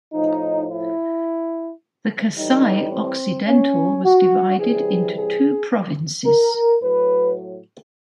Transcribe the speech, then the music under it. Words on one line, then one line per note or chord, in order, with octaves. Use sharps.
The Kasai-Occidental was divided into two provinces.
A2 F3 D#4
E4
A2 E3 G3 D#4
C4
C#4
F#4
C3 E3 G3 G#4
G#4
A#4
A2 F#3 B4